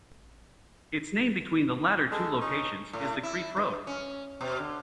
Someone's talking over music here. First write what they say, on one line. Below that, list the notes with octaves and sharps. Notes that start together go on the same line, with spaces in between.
Its name between the latter two locations is the Crieff Road.
G#3 A4
C#4 D#4
A2
E4
G2
C#4
B2
D3